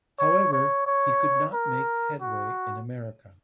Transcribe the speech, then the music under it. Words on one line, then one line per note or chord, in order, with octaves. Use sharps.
However he could not make headway in America.
C#5
C#5
C#5
A#4
F#4